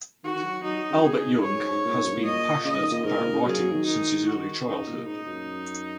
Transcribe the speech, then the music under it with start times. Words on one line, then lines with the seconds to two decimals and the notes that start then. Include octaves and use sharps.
Albert Young has been passionate about writing since his early childhood.
0.24 D#3 F#4
0.35 D#3
0.43 F#3
0.63 F#3 D#4
0.77 F#3
0.90 C#3
1.04 C#3 G#4
1.24 G#2
1.44 F#2 C#5
1.58 G#2
1.71 G#2
1.85 A#2
1.95 G#2
2.04 F#2
2.14 A#2
2.25 D#5
2.64 C#3 D#5
2.78 D#3
2.92 A#2
3.05 G#2 A#4
3.19 A#2
3.33 C#3
3.45 F#3 G#4
3.59 F#3
3.72 D#3
3.86 D#4
4.27 F#4
4.66 C#3 D#4
4.87 A#2
4.97 A#2
5.07 G#2 D#4
5.27 F#2